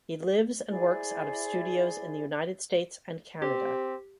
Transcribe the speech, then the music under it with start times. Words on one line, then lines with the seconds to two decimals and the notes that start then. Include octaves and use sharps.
He lives and works out of studios in the United States and Canada.
0.68 E4 G#4 C5 D5
3.42 C4 G4